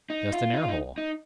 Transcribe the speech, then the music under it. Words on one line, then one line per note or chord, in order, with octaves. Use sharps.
Just an air-hole.
D#4
F4
D#4
F4
D#4
D#4